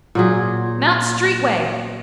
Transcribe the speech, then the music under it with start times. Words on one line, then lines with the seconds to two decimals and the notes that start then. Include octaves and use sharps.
Mount street way.
0.15 A#2 F#3 G#4